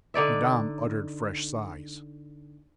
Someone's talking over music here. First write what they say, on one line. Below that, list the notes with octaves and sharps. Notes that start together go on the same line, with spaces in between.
Madame uttered fresh sighs.
D3 D#4 D5 E5